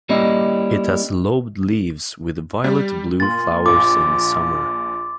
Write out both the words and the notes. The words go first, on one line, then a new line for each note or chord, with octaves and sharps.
It has lobed leaves with violet-blue flowers in summer.
G3 A#3 C#4 E4 D#5
G3
A#2 C6 A6
A#1 F3 D6